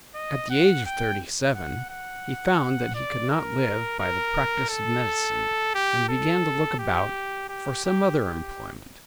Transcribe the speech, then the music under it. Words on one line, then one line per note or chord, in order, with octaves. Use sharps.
At the age of thirty-seven he found that he could not live by the practice of medicine, and began to look about for some other employment.
D#5
F#5
G5
F#5
F#5
D5
A#4
A#4
A4
G4
A4
G4
G4
G4
G4